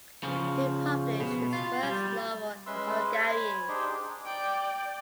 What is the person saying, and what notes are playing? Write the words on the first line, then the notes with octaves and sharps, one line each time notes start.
He published his first novel in Hungarian.
C#3 F3
B2
F4
G3
G#3 C#4 B4 E5 C6 E6
C5 C#5 G#5 B5
D4 D#4 G4 G#4 C5 G5
D5 G5